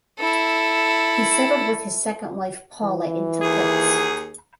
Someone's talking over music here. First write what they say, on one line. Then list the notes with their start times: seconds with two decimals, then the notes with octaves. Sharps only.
He settled with his second wife Paula in Teplitz.
0.19 E4 A4
2.84 E3
3.42 D#2 G#4